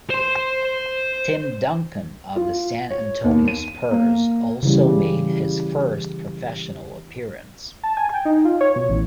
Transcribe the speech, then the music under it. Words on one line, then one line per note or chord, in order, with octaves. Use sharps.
Tim Duncan of the San Antonio Spurs also made his first professional appearance.
C5 C6
F4
C#5
D#2
D#7
A#3
C#3 E3 G3
A5
G#5
G5
D#4
F4
C#5
B2
A1